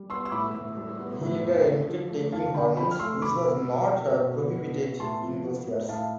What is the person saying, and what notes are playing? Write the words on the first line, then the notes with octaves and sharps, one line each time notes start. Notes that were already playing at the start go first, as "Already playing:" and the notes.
He later admitted taking hormones, which was not prohibited in those years.
Already playing: G3
B3 C6 E6
E6
A2 B5 D6
A2
G3
B3
A2
F2
D3
F3
A3
F2 F5 A5
D3 G5 B5
F3 G5 B5
F6
A3 C6 E6
B2 B5 D6
B3
B2
B3
B2
B3
B2
B3
A2 A5 C6
F3
B3
A2
A2 F5 A5